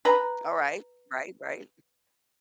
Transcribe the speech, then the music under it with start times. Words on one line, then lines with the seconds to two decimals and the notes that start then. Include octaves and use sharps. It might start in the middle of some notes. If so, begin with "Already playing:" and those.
Alright. Right, right.
0.05 B4 A#5